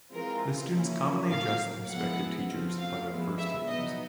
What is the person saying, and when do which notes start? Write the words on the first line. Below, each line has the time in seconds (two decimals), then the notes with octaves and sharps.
The students commonly address their respective teachers by their first names.
0.12 E3 G#3 C4 F4 A#4
0.71 F3 A#3 C#4 E4
1.30 A2 F#3 A#3 F5
1.90 F3 G#3 B3 E4 F#5
2.49 F3 A3 C4 F4
2.78 F5
3.08 F3 G#3 B3 E4
3.38 E5
3.67 B2 F#3 B3 D#4 D#5